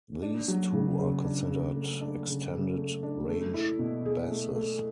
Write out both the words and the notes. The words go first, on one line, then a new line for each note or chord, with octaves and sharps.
These too are considered extended-range basses.
D4
F#3
C#3
C#3
D4
C#3
A3
D4
C#3
C#3
A3
D4
A3
E4
B2
G#4
A3
A3